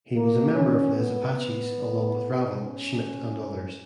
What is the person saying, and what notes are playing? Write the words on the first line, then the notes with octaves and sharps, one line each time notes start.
He was a member of Les Apaches along with Ravel, Schmitt and others.
A#3
C#4
B3
B3
C#4